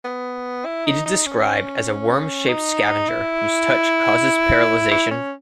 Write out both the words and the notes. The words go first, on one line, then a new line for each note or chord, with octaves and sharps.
It is described as a worm-shaped scavenger whose touch causes paralyzation.
B3
E4
D#4
D#4
C#4
D#4
E4
E4
C#4